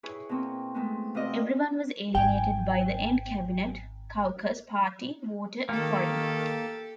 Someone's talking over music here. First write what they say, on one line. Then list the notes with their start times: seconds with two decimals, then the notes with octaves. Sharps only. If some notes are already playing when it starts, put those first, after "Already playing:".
Everyone was alienated by the end-Cabinet, caucus, party, voter and foreigner.
0.03 E4 G#4 B4 C#5
0.29 B2 A#3 C4
0.74 G#3 A3 B3 C4
1.14 C3 F4 F#4 B4 D5 D#5
2.15 G#1 G5 G#5
5.69 D#3 A#3 G4 A4